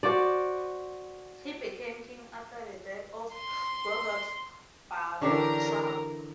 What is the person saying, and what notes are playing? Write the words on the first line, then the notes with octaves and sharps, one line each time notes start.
He became king after the death of Gurguit Barbtruc.
F#4 C5 D5
C6
D3 E3 C#4 D4 G4 A#4 A#5